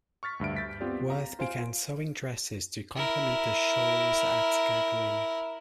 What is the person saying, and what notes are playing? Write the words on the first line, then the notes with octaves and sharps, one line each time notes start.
Worth began sewing dresses to complement the shawls at Gagelin.
C#6 F6 A6 B6
D2 G2 E5 D7
G6 A6 B6
B3 C4 F4 G4 D5
F5 A#5
F4 C5 F5 G#5 D7
E4 A#4